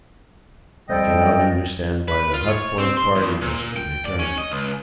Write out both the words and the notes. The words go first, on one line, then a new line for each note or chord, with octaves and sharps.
I cannot understand why the Hut Point party doesn't return.
F2 F3 G3 A4 D#5 G5
B4
F4
C#5
C4
C6
E2
A#2
G5
D5
C#4
D#5
C#2